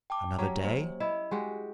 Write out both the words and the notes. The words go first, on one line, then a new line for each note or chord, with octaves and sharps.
Another day?
G5 A5 D6
F#3 C#4 G4 A#5
A#3 C5
E4 D#5 B5
G#3 F#4 G4 G#5